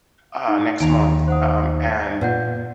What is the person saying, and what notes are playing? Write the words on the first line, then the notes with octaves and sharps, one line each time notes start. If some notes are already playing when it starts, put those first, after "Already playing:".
uh, next month, um, and
D#4
D#2 D#4 A#5 D7
C5 F#5 D#6
A#2 B4 F#5 G6